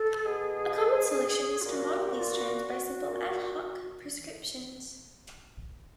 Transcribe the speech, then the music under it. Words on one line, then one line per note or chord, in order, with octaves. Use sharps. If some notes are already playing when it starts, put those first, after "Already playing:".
A common solution is to model these terms by simple "ad hoc" prescriptions.
Already playing: A4
B2 G#4
F4
A#2 F#4
G4
F#4
F4
F#4
A#2